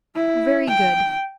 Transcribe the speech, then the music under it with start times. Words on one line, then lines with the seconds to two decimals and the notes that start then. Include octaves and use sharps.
Very good.
0.16 E4
0.68 G5